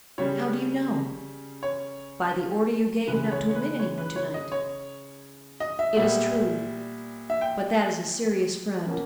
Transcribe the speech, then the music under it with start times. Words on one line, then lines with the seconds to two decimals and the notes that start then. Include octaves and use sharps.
"How do you know?" "By the order you gave not to admit any one to-night." "It is true; but that is a serious friend."
0.18 C#3 G3 C#4 C#5
1.63 C#5
3.08 C#3 E3 G#3 B4
3.32 C#5
3.49 C#5
3.55 B4
3.80 C#5
3.98 B4
4.16 C#5
4.34 D#5
4.52 C#5
5.60 D#5
5.79 E5
5.97 A#2 G3 B3 E5
7.30 E5
7.41 G5
8.86 B2 A#3 C#4